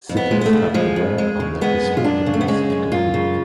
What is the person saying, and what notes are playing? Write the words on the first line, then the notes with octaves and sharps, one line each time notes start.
Cities have to work on their distinctiveness to compete.
F2
B3
G#3
B3
A3
C#3
F3 G#3
F2
G#3
C#3
G#3 B3
F#2
F4
F#2 D4
C#3
A3
B3
G#3 C#4
F#2
F#2 F4
C#3